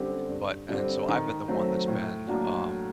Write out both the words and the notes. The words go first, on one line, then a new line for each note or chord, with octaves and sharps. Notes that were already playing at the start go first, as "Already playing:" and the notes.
but and so, I've been the one that's been, um,
Already playing: F#2 D3 G3 C4 G4
G2
D3 G3 C4
D#3
F#3 A3 C4
A2
F#3 A#3 D4 F#4